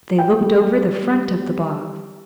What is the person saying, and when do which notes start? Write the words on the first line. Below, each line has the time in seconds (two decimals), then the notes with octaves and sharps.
They looked over the front of the box.
0.18 G5
0.41 G3